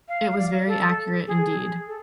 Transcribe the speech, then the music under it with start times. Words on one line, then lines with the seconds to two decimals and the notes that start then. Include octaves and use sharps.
It was very accurate indeed.
0.08 F5
0.31 F5
0.37 D5
0.67 A4
1.27 G#4
1.87 A4